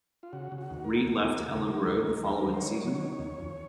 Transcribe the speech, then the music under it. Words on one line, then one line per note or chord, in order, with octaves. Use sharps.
Reid left Elland Road the following season.
F4
C#3 F#4
C#3
F#4
D#2
A#4
D#2
D#2 A#4
D#2
C#3
F#3
D#2
D#3
D#2
F#3
C5
D#3 C#5
F#3
C#5
D#3
C#5
D#2
F2